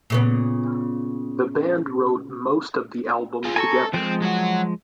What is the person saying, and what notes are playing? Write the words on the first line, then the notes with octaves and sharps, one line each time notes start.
The band wrote most of the album together.
A#2 C#3 B3
F4 G#4
A4 G#5 A#5 C#6
F3 G#3 C4
F#3 F#4